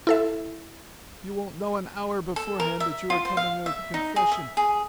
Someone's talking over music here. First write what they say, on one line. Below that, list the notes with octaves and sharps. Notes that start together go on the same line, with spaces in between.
You won't know an hour beforehand that you are coming with a confession.
E4 A4 E5
A4
A#4
E5
F4
C5
F5
E5
D#4
G#4
E5
G#4